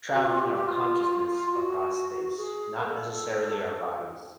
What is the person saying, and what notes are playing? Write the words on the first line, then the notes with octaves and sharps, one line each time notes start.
traveling our consciousness across space, not necessarily our bodies.
F#4
F4
G4
G4
F4
F#4
F4
F#4
G#4
A#4
A4